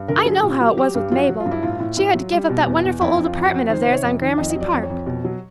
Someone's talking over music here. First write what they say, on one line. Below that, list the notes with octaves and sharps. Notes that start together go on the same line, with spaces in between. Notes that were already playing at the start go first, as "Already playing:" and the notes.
I know how it was with Mabel; she had to give up that wonderful old apartment of theirs on Gramercy Park.
Already playing: G2
D3 A#4
A4
F#3 G#4
A#2 G4
F#3 G4
F#3 G4
G2 G4
F#3 F4
F#4
F#3
F4
G2
E4
A2 F4
A2
A2
F#3
G3
B2
E2
E2
F2 E4
F2
F4
F2
F#4
F2
D#3 C5
C3 C5
C#5
F2
D#3
F2 D#5
D#5
F#3
D5
F2
C#5
F2
B2
F#3